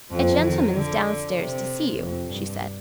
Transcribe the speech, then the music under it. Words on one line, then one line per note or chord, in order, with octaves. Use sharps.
"A gentleman's downstairs to see you," she said.
F2 F3
D#3
D3
C3
F2
G2